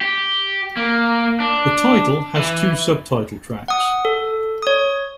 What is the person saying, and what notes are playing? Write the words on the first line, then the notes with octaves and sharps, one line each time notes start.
The title has two subtitle tracks.
G4
A#3
D4
E3
F#5 D#6
A4
C#5 D#6